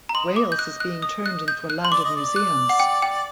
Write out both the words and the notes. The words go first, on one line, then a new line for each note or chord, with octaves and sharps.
Wales is being turned into a land of museums!
A#5
D#5 C6
D6
G6
F#6
F#6
D#6
F#6
G6
F#6
C6
D5 D6
D#5
D5
F#6
F#5
G5
G5